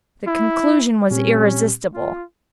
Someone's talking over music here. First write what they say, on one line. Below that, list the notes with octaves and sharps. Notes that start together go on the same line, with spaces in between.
The conclusion was irresistible.
E4
A#2 G3 C4 C#4 G4
F4